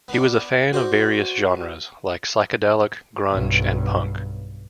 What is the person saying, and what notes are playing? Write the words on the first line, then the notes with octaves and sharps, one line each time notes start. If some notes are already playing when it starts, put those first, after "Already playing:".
He was a fan of various genres, like psychedelic, grunge, and punk.
B3 D4
F#4 C5 D5
B1 G2